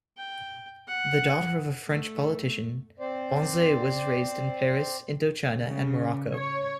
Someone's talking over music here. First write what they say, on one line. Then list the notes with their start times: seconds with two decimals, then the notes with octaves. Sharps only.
The daughter of a French politician, Banzet was raised in Paris, Indochina, and Morocco.
0.17 G5
0.87 F#5
1.87 A3
3.00 C4 C5 D5
5.58 C#3
6.37 C#5